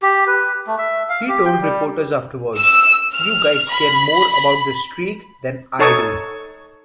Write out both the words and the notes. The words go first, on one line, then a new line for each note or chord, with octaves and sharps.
He told reporters afterwards, You guys care more about the streak than I do.
G4
B4
A3
E5
F5
G4
G5
G3
E6
F6
B5
D#4 A4 C#5 A5 C#6 D#6